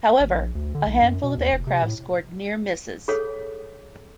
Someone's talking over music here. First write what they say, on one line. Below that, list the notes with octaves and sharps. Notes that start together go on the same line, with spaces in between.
However, a handful of aircraft scored near misses.
G#1
A#1
D2
D3
B1
F#2
B2
D#2
F1
C3
A2
G#4 A4 C#5 F5